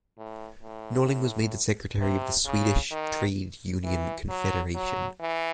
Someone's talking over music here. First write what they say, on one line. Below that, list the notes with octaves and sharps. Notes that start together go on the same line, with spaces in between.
Norling was made the secretary of the Swedish Trade Union Confederation.
A2
A2
C3
C#3
D#3
E3
F#3
F#3
E3